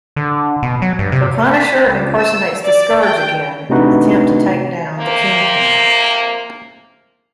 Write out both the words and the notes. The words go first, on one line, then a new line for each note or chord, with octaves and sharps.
The Punisher impersonates the Scourge again in an attempt to take down the Kingpin.
D3
B2
F#3
G2
C3
B6
C#2
E6
D5
G5
C3 A3 D4 D#4 F#4 B4
F2 C3 A#3